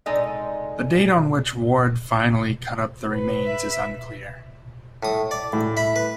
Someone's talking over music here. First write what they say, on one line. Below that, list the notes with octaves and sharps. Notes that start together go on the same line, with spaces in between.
The date on which Ward finally cut up the remains is unclear.
C3 G#3 D#4 A4 D5 D#5
B4
E5
A2 D#6
D5
A2
E5 B5
B4